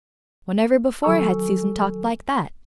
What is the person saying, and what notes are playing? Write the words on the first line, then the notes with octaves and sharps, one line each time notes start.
Whenever before had Susan talked like that?
D#3 F#3 A4 G#5 C#6 E6